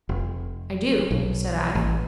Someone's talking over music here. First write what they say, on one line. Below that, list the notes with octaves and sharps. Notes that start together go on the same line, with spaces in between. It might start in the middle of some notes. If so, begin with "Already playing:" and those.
"I do," said I.
F1
B1
A1